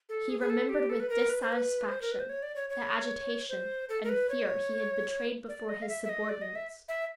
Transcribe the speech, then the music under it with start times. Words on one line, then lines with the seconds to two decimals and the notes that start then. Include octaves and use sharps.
He remembered with dissatisfaction the agitation and fear he had betrayed before his subordinates.
0.09 A4
0.29 G#4
0.40 G#4
0.50 A4
0.69 G4
0.90 A4
1.00 B4
1.10 A#4
1.29 B4
1.41 C5
1.52 B4
1.89 C5
2.02 A#4
2.11 B4
2.20 C5
2.29 C#5
2.43 D5
2.56 C#5
2.70 C#5
3.49 C5
3.89 A4
4.04 A#4
4.09 B4
4.29 C#5
5.49 D5
5.69 D#5
5.82 F5
5.89 E5
6.04 E5
6.09 D#5
6.29 D5
6.42 D#5
6.55 E5
6.88 E5